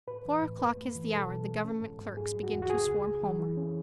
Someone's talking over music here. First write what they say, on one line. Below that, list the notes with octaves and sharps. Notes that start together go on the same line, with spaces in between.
Four o'clock is the hour the Government clerks begin to swarm homewards.
A2 B4
E3
A2
F#2 B4
A3
E3
B2 A4
B2
G#3
C#4
G#2
G#2
F#3 G#4
F#3
F#4
E2
F#4
C#2 G#4
C#2
C#2
E3
E3
C#4